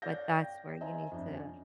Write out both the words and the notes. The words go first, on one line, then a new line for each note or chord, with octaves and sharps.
but that's where you need to
C#5 D5 F5 G6 A6 A#6
G5
C5 D#5 E5 G#5 A#5
F2 D4
C#4